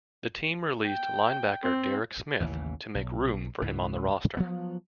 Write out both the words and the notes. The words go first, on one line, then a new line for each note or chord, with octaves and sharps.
The team released linebacker Derek Smith to make room for him on the roster.
G5
C4
A1 D#2 C#3 E3
B1
C#2 G#2 E3
F3 F#3 B3